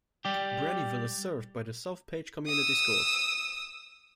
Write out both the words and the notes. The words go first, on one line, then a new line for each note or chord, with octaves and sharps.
Braddyville is served by the South Page Community Schools.
G3 G4
D#6 E6